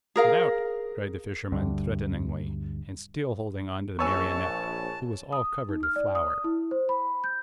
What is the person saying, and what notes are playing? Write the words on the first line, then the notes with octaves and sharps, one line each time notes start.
"Get out!" cried the Fisherman threateningly and still holding onto the Marionette, who was all covered with flour.
G#4 A#4 F5
D2 G2
A#1 B4 C#5 G#5 A5 C#6 E6
D#6
D#4
F6
D5
D#6
E4
C5
B5
G6